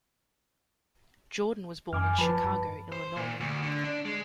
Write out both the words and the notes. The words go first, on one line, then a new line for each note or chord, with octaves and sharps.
Jordan was born in Chicago, Illinois.
F#2 G#5 D6 F6
F3 B4 A5 B5
G2
C5
A#2
D2
D3
D4
G#3